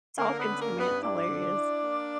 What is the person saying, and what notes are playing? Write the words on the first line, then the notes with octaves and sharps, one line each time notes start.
talking to me, it's hilarious.
D3 A#3 A#4
B3 B4
C#4
A#3 A#4
G2
B3 B4
D4 E4 D5
D3
E4
A#3